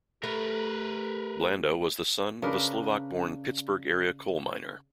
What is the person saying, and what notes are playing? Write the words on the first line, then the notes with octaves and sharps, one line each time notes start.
Blanda was the son of a Slovak-born Pittsburgh-area coal miner.
A3 G4 A#4 B4
C#3 D4 A#4 B4